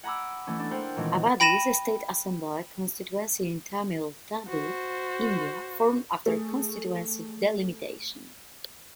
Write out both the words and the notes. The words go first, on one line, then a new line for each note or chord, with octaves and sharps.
Avadi is a state assembly constituency in Tamil Nadu, India formed after constituency delimitation.
F#5 G#5 A#5 B5 D6 E6
E3 A3 C#4
B3 D4 A4
A#4 C5 F#5 G5
A#2 D#3 E3 G#3 A3 C4
G5 B5 A#6 D#7 E7
F#4 C5
A3 G#4